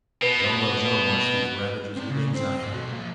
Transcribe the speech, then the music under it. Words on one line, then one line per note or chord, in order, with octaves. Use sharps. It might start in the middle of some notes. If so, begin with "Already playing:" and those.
Jean Valjean watched these ravages with anxiety.
B2 B4
C4 D5
C#3
C4 C5
G#2 D#5
B1 F#4
F3 A#3